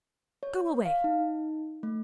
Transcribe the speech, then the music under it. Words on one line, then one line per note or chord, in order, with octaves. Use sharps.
Go away!
C#5
F5
D#4
A3